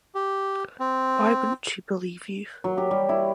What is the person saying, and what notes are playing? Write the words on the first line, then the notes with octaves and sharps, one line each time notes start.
Why wouldn't she believe you?
G4
C4
F#3
G4
G3
E4